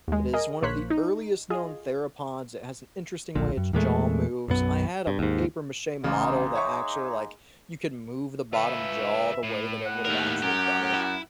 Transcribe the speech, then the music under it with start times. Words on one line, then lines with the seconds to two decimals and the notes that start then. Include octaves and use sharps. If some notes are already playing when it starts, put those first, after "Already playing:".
It is one of the earliest known theropods, it has an interesting way its jaw moves, I had a papier-mâché model that actually, like you could move the bottom jaw the way that it would've actually done it,
0.08 D#2 G#3
0.33 G#4 A#4 D#5
0.62 A#1 A#3 C5 C#5 F#6 B6
0.90 D#4
1.50 F4 G#4 D#5
3.35 D1 A#1 A#2 D3
3.57 F#2
3.73 E2 A#2 G#3 A3
4.48 B1 F#2 B3
5.07 G2
5.19 D#2 G#2
6.04 A1 C#3 G#3 A#3 D#4
6.55 C#5 E5 C#6
8.53 F4 B4 E5
9.43 A2
9.86 F#5
10.05 D#2 B3 A#4
10.43 F#2 G4
10.94 E4